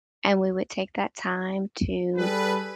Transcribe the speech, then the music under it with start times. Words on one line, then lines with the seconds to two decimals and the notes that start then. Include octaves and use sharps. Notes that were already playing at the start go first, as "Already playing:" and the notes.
and we would take that time to
2.16 G3 G#4 A4 B4